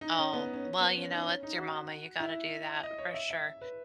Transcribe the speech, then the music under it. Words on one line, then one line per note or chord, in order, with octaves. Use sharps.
Oh, well, you know, it's your mama, you gotta do that for sure.
D#4
C#4
B3
C#4
C#4
B3
C#4
D#4
C#4
D#4
F#4
E4
D#5
C#5
E5
E5
B4